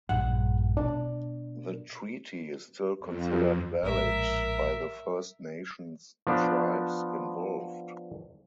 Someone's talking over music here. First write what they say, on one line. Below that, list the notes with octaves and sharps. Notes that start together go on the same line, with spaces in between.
The treaty is still considered valid by the First Nations tribes involved.
A#1 G2 F#5
B2 D4
F2
A#1 A2 G#3 A#4 E5
F3 B3 D4